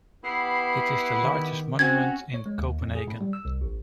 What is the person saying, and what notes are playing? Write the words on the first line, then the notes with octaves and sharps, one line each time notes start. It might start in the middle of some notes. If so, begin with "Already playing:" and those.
It is the largest monument in Copenhagen.
B3 E4 G4 C7
D#3
C4 C#4 F#4 G#6
C#5
G#3
D#2
F2
G#4
A2
G3
E6
C2
A1